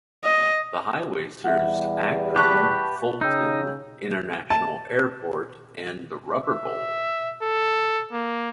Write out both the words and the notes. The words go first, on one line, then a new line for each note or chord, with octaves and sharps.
The highway serves Akron Fulton International Airport and the Rubber Bowl.
D#5
E2 G3 E5 F#5
G4 B4 A5 C#6 F#6
C#3 D#4 G5 E6 G6
A5
E5
A4
A#3